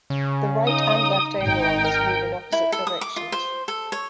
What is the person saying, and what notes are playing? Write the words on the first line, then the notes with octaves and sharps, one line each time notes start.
The right and left ailerons move in opposite directions.
C#3
D#4 D#6
G#1 D#4 G5
A#4
E4
A4
D#6
D6
F4
C5
A4
C#5